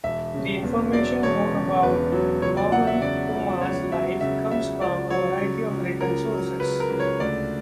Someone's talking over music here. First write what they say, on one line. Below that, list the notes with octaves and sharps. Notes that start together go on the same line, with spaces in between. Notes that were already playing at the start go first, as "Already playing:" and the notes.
The information known about Guaman Poma's life comes from a variety of written sources.
E1 E5
C#3
E2
F#3 D5
E1 C#5
C#3
E2 B4
F#3
C#2 C#5
D5
F#3 F#5
E5
C#3 D5
C#2
C#2 C#5
F#3 E5
C#3 E5
C#2 E5
C#2 D5
F#3 C#5
C#3
C#2
C#2 A#4
F#3
C#3 B4
A#4
C#2
C#5
D2 D5